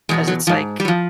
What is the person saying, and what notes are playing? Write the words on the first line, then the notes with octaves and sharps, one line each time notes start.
'Cause it's like
E2 B2 G#3
F#3
G#2 F3
G3
F#3
F3